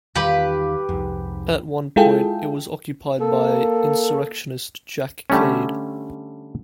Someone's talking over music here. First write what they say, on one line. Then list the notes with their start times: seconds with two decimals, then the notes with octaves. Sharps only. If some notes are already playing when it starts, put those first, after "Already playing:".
At one point it was occupied by insurrectionist Jack Cade.
0.16 E2 D#3 G3 D#4 F4 G4 B4 B5
0.89 C2 F2 G#2
1.96 G#3 E4 F4 G#4 A4 G5
3.20 A#3 A4
5.30 D3 G3 A3 C#4